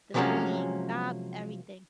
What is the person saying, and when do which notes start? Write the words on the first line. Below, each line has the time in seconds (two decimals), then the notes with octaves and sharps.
The bullying stopped, everything.
0.14 C3 F3 F#3 G#3 A#3 C#4